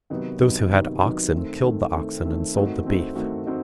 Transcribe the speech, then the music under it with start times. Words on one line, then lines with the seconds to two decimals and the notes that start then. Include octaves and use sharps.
Those who had oxen killed the oxen and sold the beef.
0.10 C3 D#3 F#3 B3 D#4
0.41 C3 D#3 F#3 B3 D#4
0.71 C3 D#3 F#3 B3 D#4
1.02 C3 D#3 F#3 B3 D#4
1.32 D#3 A3 C4
1.63 D#3 A3 C4
1.93 D#3 A3 C4
2.24 D#3 A3 C4
2.54 D#3 A3 C4 D#4 F#4
2.84 D#3 A3 C4 D#4 F#4
3.15 D#3 A3 C4 D#4 F#4
3.46 C4 D#4 F#4